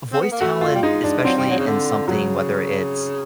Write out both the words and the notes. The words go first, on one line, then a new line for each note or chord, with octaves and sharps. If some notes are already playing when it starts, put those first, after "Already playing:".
voice talent, especially in something, whether it's
C4
B3
A#3
A3 F#4
F4
G3
G#3 D#4
D4
F#3 C4
G3
F#3
C#3
D3
C#3 F#3